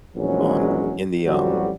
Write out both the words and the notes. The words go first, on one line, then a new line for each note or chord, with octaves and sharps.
on in the, um,
A#1 E2 F#3 G#3 C#4
A1 F2 F#3 G3 F#4